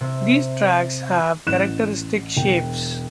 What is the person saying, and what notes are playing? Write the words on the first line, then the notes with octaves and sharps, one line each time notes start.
These tracks have characteristic shapes.
C3 E5
A1 F#6 E7
E1 G5